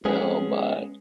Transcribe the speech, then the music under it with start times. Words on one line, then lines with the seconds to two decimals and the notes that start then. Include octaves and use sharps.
Oh, my,
0.05 G#3 B3 C#4 G#4